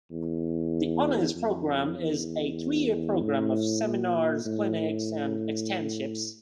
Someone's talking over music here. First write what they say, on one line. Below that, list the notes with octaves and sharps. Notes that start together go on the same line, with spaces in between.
The Honors Program is a three-year program of seminars, clinics, and externships.
E2
F2
E2
A2
A#2
A2